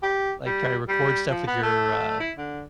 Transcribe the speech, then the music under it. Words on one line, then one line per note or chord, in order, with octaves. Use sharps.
like try to record stuff with your, uh,
G4
G3
G3
F3
B3
A3
E4
D3